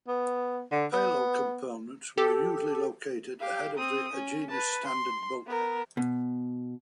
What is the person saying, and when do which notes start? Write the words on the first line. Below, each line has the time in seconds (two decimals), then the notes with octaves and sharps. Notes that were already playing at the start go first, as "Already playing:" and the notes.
Payload components were usually located ahead of the Agena's standard bulkhead.
0.08 B3
0.72 D3
0.93 B3
2.17 G4 A4
3.39 G4 F5
3.77 C4 D#6
4.13 C#4
4.49 B4 A5
4.84 C6
5.47 B3 A#4
5.97 B2